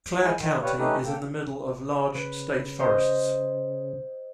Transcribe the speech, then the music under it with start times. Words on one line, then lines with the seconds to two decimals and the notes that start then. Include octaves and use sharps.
Clare County is in the middle of large state forests.
0.21 G#3 E4 G#5
0.37 D#3
0.62 G4 B4 C#5 D5 F5
0.78 A3 C#4 D#4 G4 A4 B4
1.05 A#3 A4 G5
2.15 C#3 B4
2.80 C5 D#5